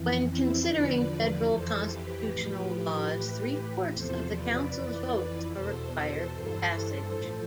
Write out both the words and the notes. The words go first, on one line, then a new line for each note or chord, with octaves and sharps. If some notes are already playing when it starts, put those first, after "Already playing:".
When considering federal constitutional laws, three-fourths of the Council's votes are required for passage.
Already playing: F2 E3
C4 E4
E2 D3 F3 B4 D5
F2 E3 A4 C5
G4 B4
A2 F3 G4 B4
A2 E3
E2 C3 F3 A4 C5
B4 D5
F2 E3
E2 B2 A4 C5
A4 C5
G2 E3 A4 C5
A2 F3